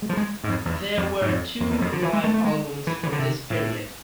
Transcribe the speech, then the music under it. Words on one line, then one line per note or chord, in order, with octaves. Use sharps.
There were two live albums from this period.
G#3
F3
G#3
G#2
F2
E2
F2
G#2
F2
F2
E2
F2
D3
E3
G#3
A3
A3
G#3
E3
E3
D3
C3
A2